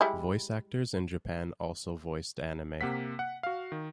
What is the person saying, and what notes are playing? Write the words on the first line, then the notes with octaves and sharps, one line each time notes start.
Voice actors in Japan also voiced anime.
G3 G#3 E4
C3 A#3 F#5 B6
F#5
F#4 F5
D#3